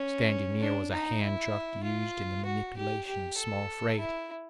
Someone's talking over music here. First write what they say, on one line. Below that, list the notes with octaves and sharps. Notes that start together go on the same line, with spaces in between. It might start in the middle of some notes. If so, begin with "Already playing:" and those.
Standing near was a hand truck used in the manipulation of small freight.
Already playing: C#4
D4
D#4
E4
F4
F#4
G4
G4
A4
E4